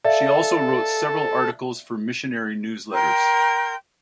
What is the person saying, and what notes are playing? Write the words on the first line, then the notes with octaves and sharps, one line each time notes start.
She also wrote several articles for missionary newsletters.
A4 D5 E5 F5
A#4 G5 C6 G6